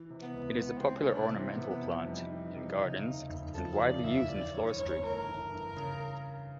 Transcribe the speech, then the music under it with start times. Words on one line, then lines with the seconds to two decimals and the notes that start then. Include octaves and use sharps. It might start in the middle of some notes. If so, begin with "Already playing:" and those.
It is a popular ornamental plant in gardens, and widely used in floristry.
Already playing: E3
0.10 C3
0.22 B3
0.34 C#2
0.59 G#3 B3
0.78 C4
0.84 E3
0.96 C#4
1.08 C3
1.15 D4
1.33 E3 C4
1.51 B3
1.58 C3
1.70 B3
1.82 F2
1.88 B3
2.07 G3 D#4
2.32 E3
2.57 C3
2.81 C#3
3.05 D#2
3.30 F1
3.54 F3 A4
3.79 C#3 D5
4.04 D#2 E5
4.29 E3 D5
4.53 G2 C#5
4.78 G1 C#5
5.03 A3 A#4
5.28 E3
5.51 G2
5.77 C#3